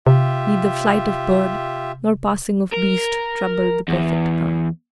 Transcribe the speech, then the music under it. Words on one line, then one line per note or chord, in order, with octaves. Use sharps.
Neither flight of bird nor passing of beast troubled the perfect calm.
C3 F4 G4 E5
A#4
E2